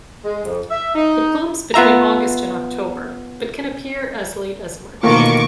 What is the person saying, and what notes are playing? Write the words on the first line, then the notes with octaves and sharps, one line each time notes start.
It blooms between August and October but can appear as late as March.
G#3
F2
E5
D#4
B3 F4 E5 A#5
B2 D#3 E3 A3 A#3 F4 C#6 D6